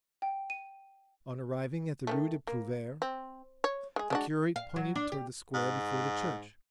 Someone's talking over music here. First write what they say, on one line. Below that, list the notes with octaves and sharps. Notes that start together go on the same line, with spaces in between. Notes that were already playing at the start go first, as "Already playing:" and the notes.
On arriving at the Rue des Prouvaires, the curate pointed toward the square before the church.
G5
D#7
D#3 G#3 A3
A#3
C4
C#5
G#3 G#4
G#3 D4 F#4
F5
F#3
D4
G4
G#2